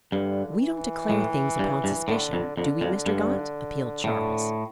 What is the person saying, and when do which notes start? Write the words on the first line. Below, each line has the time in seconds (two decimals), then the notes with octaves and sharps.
"We don't declare things upon suspicion, do we, Mr. Gaunt?" appealed Charles.
0.12 G2 D3
0.61 E3
1.10 A2
1.59 G2
1.84 G2
2.08 A2 D3
2.33 F2
2.57 F2 D3
2.81 F2
3.06 G2
4.04 A2 D3